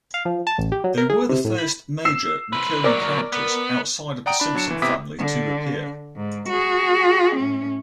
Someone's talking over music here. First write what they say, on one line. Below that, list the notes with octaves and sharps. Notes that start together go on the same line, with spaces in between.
They were the first major recurring characters outside of the Simpson family to appear.
F5
F3
A5
A1
G4
F#3
A#4
G#4
C3
A2
B5
E6 C7 E7
C4 B4
A#2 F#3 A#4 D5
B3
D5 F#5 G5 A#5 D#6 D7
D4 B5
F#3 D4 C#7 E7
G1 E3
C3 B3 E4 D6 D#6 B6
D3
G#2
F#4 G#4
A2 C#4